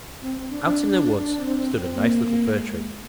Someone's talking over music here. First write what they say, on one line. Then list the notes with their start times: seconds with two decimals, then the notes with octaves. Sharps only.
Out in the woods stood a nice little Fir Tree.
0.20 C4
0.49 D4
0.79 D4
1.35 C4
1.93 A#3
2.51 G#3